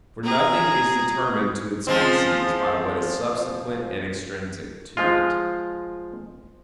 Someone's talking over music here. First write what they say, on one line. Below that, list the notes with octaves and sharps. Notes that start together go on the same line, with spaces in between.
For nothing is determined to its species by what is subsequent and extrinsic to it.
G#4 A#5
F3 G#3 C4
F3 G#3 F4